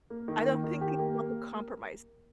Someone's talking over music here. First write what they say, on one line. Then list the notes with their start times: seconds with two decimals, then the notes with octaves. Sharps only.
I don't think people want to compromise.
0.10 A#3
0.28 D#3
0.46 A#3
0.64 D#3
0.81 G4
0.99 A#3
1.17 A#3